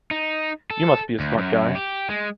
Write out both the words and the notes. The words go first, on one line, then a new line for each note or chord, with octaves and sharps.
You must be a smart guy!
D#4
A4
D2
F#2
G4
G#3